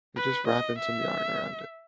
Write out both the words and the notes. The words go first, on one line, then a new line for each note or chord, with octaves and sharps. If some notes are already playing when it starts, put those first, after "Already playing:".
you're just wrapping some yarn around it,
B4
D#5
E5